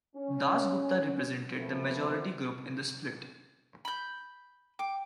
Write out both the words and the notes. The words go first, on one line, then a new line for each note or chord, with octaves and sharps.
Dasgupta represented the majority group in the split.
C#4
F#2 C3 F3 A3 B3 C4
B5 G6
G5 D6